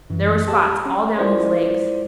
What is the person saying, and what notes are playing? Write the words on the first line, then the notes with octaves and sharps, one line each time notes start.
There were spots all down his legs.
F#2 E3
G4 A5
C#4
G#3 E4 F4 A#4 C5 D5